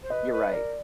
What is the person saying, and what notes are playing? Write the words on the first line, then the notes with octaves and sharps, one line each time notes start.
You're right.
C5
B4 D#5
B4
A#4 D5